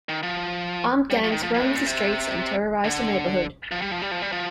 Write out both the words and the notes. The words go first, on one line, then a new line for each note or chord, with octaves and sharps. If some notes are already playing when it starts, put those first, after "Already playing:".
Armed gangs roamed the streets and terrorized the neighborhood.
D#3
F3
G3
F3
D#3
F3
F3
A2
A#2
C3
D3
F3
G3
F3
G3
F3
G3
F3